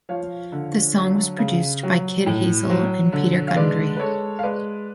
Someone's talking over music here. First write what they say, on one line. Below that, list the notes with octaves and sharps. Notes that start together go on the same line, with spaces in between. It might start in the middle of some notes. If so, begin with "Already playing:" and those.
The song was produced by Kid Hazel and Peter Gundry.
F3 C#5 F5
D3
F#3
C#3
F#3
A2
F#3
D3
F5
G#3 B4 D5
B4
G#3 A4 C#5
F5
G#3 B4 D5